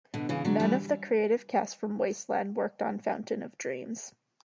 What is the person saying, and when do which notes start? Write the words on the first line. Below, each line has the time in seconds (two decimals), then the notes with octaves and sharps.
None of the creative cast from "Wasteland" worked on "Fountain of Dreams".
0.14 B2 D3
0.29 C#3 E3
0.45 D3 F#3
0.60 E3 G3